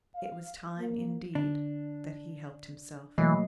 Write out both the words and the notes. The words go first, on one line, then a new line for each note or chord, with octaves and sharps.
It was time, indeed, that he helped himself.
F5
A#3
D3 D4
B2 E3 F#3 A3 A#3 D#5 C7